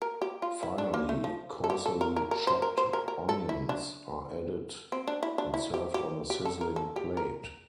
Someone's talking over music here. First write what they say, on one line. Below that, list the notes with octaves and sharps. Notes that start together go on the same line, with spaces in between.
Finally, coarsely chopped onions are added and served on a sizzling plate.
A#4
G4
F4
E4
D4
A#3
A3
F3
A4
G4
A4
A#4
A#4
A#4
C5
A#4
C5
A#4
A#4
A4
E4
D4
C4
D4
E4
D4
E4
G4
G4
G4
A4
A#4
A4
G4
A#4